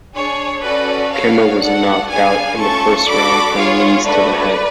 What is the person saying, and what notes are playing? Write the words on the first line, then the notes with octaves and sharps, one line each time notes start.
Kimo was knocked out in the first round from knees to the head.
D4 G#4 C#5
C#4 F#4 A4 B4 D5
B3 F#4 A4 C#5 F5
B3 D4 F#4 A4 D5 F#5
B3 D4 G#4 F5 G#5
A3 C#4 F4 A4 A5 C#6
D4 F#4 A4 B5 D6
B3 F4 G#4 C#5 F5
A3 D4 F#4 A4 B4 D5